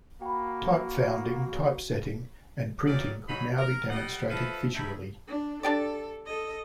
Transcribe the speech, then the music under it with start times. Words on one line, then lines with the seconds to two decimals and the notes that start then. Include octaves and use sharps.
Type founding, typesetting and printing could now be demonstrated visually.
0.21 A#3 F#4 G5 B5
2.86 D#3 E3 F#3 C#4 D5
3.28 G#2 F#3 D#4 B5
3.58 A#4
3.89 G3 D#5 F#5
4.29 F3 A4 B4 E5 B5
4.73 G2 D#4 E4
5.27 D4
5.63 D4 G4 A4 D5
6.26 A4 D#5